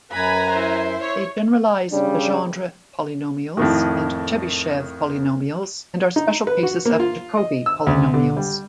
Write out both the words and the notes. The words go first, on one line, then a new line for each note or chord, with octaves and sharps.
They generalize Legendre polynomials and Chebyshev polynomials, and are special cases of Jacobi polynomials.
F#2 B4 G#5 A#5 B5
E4 C5
C#5
C#3 G3 D4
F2 A2 D#3
D#4
B4
F#4
A#3
F4
D#5
E6
D2
D3
G3